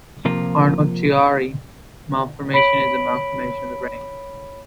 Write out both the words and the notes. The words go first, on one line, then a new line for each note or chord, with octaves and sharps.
Arnold-Chiari malformation is a malformation of the brain.
C3 F3 A#3 F4
C#5 B5 B6 D7 F#7